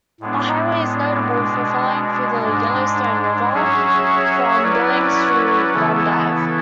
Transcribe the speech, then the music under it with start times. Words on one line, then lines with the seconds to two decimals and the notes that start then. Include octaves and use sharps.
The Highway is notable for following the Yellowstone River from Billings through Glendive.
0.20 A2 G#3 B3 D4
1.31 B2 G#3 D4
2.42 G#2 G#3 D4
3.53 F#3 C#4 G#4 C#5 E5
4.63 F#3 C#4 E4 B4 D5
5.73 C#3 E3 B3 E4 A4